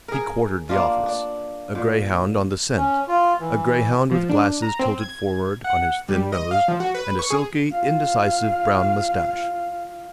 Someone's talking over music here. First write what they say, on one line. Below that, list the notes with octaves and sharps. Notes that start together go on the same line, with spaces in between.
He quartered the office, a grayhound on the scent; a grayhound with glasses tilted forward on his thin nose, and a silky indecisive brown mustache.
G#4 A#4
A#3 D4 F4
D4
A#2
C#4
F4
E3
F3
D4
A#5
C4
G#6
F#5
G3
D#5
F5
F3
F#4
B4
C#6
G#4
F4 F5